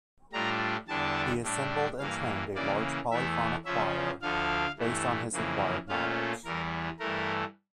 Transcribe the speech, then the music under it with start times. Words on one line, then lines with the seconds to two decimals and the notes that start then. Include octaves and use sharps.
He assembled and trained a large polyphonic choir based on his acquired knowledge.
0.33 A2 G3 D4 F4 A#5
0.88 E2 D3 G3 D4 A5
1.43 A2 G3 D4
1.99 G2 E3 A#3 F5
2.55 C#3 E3 A#3 D5
3.11 E2 E3 A3 E5
3.65 C#3 F3 C#4 E5
4.22 D2 D3 F3 F5
4.77 G2 E3 A3
5.32 F2 C#3 E3 A#3
5.89 A#2 A3 C#4 F4 F5
6.44 E2 E3 G3 A#4
6.99 G2 E3 A3 A#4